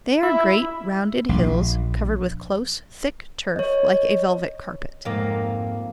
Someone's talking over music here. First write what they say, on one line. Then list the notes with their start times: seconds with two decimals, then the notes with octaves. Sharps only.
They are great rounded hills, covered with close, thick turf, like a velvet carpet.
0.23 E4
1.29 A#1
3.56 C#5 D#5
5.05 F2 G#2 A#3